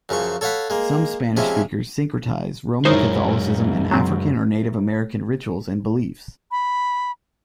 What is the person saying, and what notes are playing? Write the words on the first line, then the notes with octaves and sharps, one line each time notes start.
Some Spanish-speakers syncretize Roman Catholicism and African or Native American rituals and beliefs.
F#2 C#3 F3 C#6
A4 C#5 F5 F#5 B5
G#3 A#3
C3 F3 G#3 C#4 E4
F#2 G#3 D#4 E4 A#4 C5 C#5
F#3 C4
B5